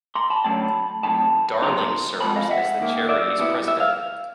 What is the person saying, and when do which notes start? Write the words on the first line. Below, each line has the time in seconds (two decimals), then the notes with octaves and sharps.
Darling serves as the charity's president.
0.15 A#5 C6
0.30 A5 B5
0.44 D3 F#3 A3 C#4 A5 B5
1.03 C3 D#3 F#3 A3 A5 B5
1.62 B2 F#3 A#3 D#4 A#5 C6
2.21 C3 F3 G#3 B3 A5 B5
2.36 D#5 F5
2.51 E5 F#5
2.80 D#2 D#3 F#3 A#3
3.09 D5 E5
3.39 B2 G3 B3 E4
3.68 E5
3.80 F5